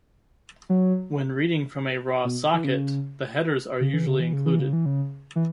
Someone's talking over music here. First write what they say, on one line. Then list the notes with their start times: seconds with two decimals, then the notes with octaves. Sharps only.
When reading from a raw socket, the headers are usually included.
0.69 F#3
2.25 B2
2.54 E3
2.64 C#3
3.80 C#3
3.93 E3
4.07 C#3
4.20 E3
4.33 C#3
4.46 E3
4.59 C#3
4.73 E3
4.86 C#3
5.36 E3